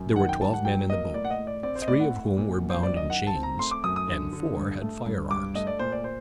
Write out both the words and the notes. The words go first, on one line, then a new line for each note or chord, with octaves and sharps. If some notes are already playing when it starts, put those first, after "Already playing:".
There were twelve men in the boat, three of whom were bound in chains, and four had fire arms.
Already playing: F#2
D#3 F#5
G5
G3 A5
F#5
F#3 G5
A#3 D#5
A2 D5
F#5
D#5
A2
D5
C4 D5
C5
D#5
A2 D5
F#5
A3
A#2
F#2
C5
F#2 D5
D#5
D#3 F#5
A5
C4
A#5
A3 C6
D6
F#2 D#6
D#6
D3
D3
G2
A3
G2
G2 D6
A3 D#5
D5
A#2 C5
D5
C5